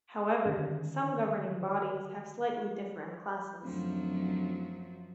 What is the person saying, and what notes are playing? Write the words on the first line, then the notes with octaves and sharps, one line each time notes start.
However, some governing bodies have slightly different classes.
D3 D#3 C#4
D1 F#2 F3 F#3